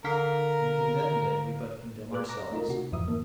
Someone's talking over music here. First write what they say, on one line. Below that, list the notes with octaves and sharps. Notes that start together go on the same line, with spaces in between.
In condemning it we but condemn ourselves.
D3 A#4 F5 B6
G#4 B4 D6 F#6
A#5 D6 A#6
A3 D#4 F4 A#4
C3 F#4
F2 G#2 E3 F3 E5 D#6
D#3 A#3